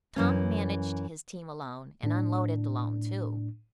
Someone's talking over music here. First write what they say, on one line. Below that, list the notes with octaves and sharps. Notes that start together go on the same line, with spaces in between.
Tom managed his team alone, and unloaded alone, too.
F#2 E3 C#4
A2 D4